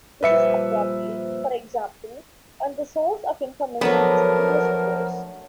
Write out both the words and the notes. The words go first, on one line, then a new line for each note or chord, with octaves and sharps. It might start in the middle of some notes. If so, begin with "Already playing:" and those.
This is appropriate, for example, when the source of information is English prose.
A#2 F3 G3 B4 E5 C#7
F3 F#3 A3 B3 D4 A#4